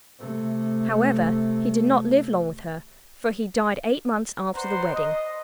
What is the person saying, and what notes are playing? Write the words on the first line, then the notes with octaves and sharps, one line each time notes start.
However, he did not live long with her, for he died eight months after the wedding.
C3 A3
B4 C5 D5 F#5 A#5 C6
D#5